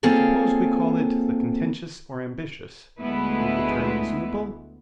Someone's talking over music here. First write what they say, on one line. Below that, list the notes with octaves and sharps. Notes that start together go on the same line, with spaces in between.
Suppose we call it the contentious or ambitious--would the term be suitable?
A#3 C4 F4 G#4 A4 C#5
D2 G#3 A3 B3 E4 B4